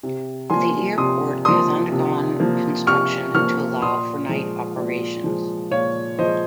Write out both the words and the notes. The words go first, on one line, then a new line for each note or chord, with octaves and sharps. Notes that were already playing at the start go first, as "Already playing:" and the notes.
The airport has undergone construction to allow for night operations.
C3
F3 A#3 G#5 C6
C3 C6 D#6
F3 A#3 C6 D#6
C3
F3 A#3
C3 C#6 F6
F3 A#3 C#6 F6
A#2 C6 D#6
F3 G#3
A#2
F3 G#3
A#2 C#5 F5
F3 G#3 C5 D#5